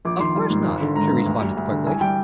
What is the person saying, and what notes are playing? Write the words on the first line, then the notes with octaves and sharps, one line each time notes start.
"Of course not," she responded, quickly.
A#1 D6
D#3 C6
G3
G#2
G#1
D3
G#1 A#5
G2
D2
G3
D2
D3
C2 G#5
G3 G5